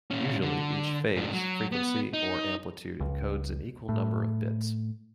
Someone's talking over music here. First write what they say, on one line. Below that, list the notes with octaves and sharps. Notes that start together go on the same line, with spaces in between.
Usually, each phase, frequency or amplitude encodes an equal number of bits.
A#2 C#4
D3
G#2 D4
F#3
B3
D#4
C#2
A2